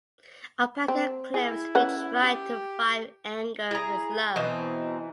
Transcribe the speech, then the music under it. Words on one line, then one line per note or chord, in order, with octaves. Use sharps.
Opelka claims to be trying to fight anger with love.
C4
E4 G#4
C#4 B4 F#5
G4
E4 G#4 A#5
B2 E3 C4 D#4